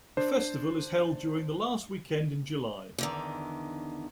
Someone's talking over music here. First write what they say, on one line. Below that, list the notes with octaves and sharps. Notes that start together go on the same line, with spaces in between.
The festival is held during the last weekend in July.
D4 C5
E2 D3 D#3